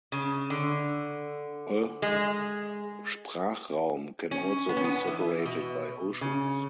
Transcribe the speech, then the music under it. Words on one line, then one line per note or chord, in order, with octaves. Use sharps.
A sprachraum can also be separated by oceans.
C#3
D3
G#3
C#4
B3
C#4
B3
E3
B2
C#3